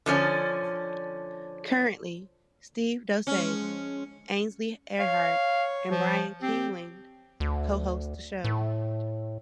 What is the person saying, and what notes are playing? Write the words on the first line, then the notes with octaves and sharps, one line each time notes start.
Currently, Steve Doocey, Ainsley Earhardt, and Brian Kilmeade cohost the show.
D3 F3 C#4
F3 G#3 C#4
C#5 F5
F3
C4 G4
D2
A2